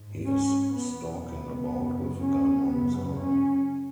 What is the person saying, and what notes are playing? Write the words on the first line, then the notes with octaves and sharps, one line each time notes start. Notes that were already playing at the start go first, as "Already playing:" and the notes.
He is stalking about with a gun on his arm.
Already playing: G#2
C#4
E2 B2 B3
B3
F#2 C#3
C#4
F#2 C#3 B3
C#4